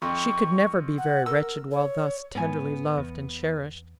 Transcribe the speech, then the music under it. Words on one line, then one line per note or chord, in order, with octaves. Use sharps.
She could never be very wretched while thus tenderly loved, and cherished.
F2 C#6
F#5
A#4 E6
C#5
G#2 B3 G#5
E2